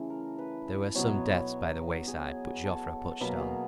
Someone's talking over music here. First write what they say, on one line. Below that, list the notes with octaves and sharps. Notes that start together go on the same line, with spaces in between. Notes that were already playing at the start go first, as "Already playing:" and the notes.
There were some deaths by the wayside, but Joffre pushed on.
Already playing: C#3 E3 A3
A#4
B4
B2 F#3 B3 C#5
G#4
A4
B2 F#3 A#3 B4
G#4